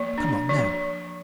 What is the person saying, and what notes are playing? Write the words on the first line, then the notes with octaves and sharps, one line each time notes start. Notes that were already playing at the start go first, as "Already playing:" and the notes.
"Come on--now."
Already playing: F3 A#3
D4
F3